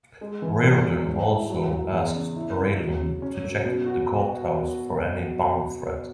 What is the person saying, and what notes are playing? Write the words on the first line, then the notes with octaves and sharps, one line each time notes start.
Reardon also asks Raylan to check the courthouse for any bomb threat.
G#3
E3
E2
F#3
G#2
E4
F#3
F#3
E2
C#3
E4
C#3
F#3
C#3
C#4
F#2
B2
F#4